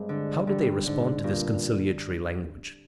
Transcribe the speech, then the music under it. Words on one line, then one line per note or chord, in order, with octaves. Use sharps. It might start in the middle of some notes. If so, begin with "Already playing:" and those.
How did they respond to this conciliatory language?
Already playing: G2 G#3 C4
D3
D3 G3
G#2 D3
G2 A#2